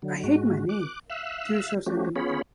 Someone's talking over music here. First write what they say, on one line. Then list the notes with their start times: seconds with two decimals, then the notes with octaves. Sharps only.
I hate my name, too — so sentimental!
0.02 D3 F#3
0.24 G#2 G#3 F#4
0.69 D6 F#6
1.10 E5 F5 E6 F#6
1.86 F3 A3 C#4 F#4 G4
2.16 B3 C#4 F4 G#4 C#5 B5